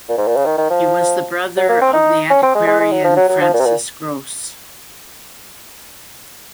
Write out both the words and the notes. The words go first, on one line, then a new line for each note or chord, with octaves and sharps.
He was the brother of the antiquarian Francis Grose.
A#2
G#2
A#2
C#3
D#3
D#3
F3
F#3
A#3
C4
D#4
C#4
C4
G#3
G#3
G#3
F#3
F3
F#3
F#3
F3
A#2
C3
A#2